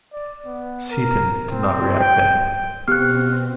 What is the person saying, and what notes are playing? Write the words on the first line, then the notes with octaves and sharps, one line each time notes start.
Seton did not react then.
D5
B3
A#4
C4
G5
B2 B3 C4 G4 F6 F#6